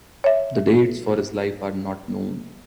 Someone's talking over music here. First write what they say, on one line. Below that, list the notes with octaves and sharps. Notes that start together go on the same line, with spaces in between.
The dates for his life are not known.
C#5 E5